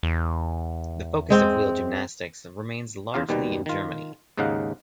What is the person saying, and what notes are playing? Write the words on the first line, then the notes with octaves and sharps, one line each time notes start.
The focus of wheel gymnastics remains largely in Germany.
E2
G#3 C4
E2 C#3 F4 F5
D#2 B2 D#3 G3
D#3 F4
D#2 G#2 C#3 D#4 F5 F#5